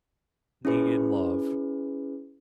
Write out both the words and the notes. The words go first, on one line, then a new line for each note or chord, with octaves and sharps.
need, and love,
C#4 E4 G#4 B4